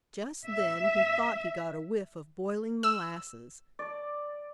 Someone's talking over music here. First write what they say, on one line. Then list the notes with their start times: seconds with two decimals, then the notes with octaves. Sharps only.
Just then he thought he got a whiff of boiling molasses.
0.46 E5
2.83 E6
3.79 D5